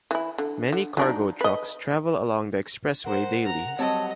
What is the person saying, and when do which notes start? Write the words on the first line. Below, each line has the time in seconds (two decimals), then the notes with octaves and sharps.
Many cargo trucks travel along the expressway daily.
0.11 E3 E4
0.38 D3
0.72 D3
0.97 F#3 D4 D#4
1.41 B4 D#5
3.06 A#4 C5 F#5
3.46 A#5
3.79 F#3 G3 C4 C#5 D#5 A5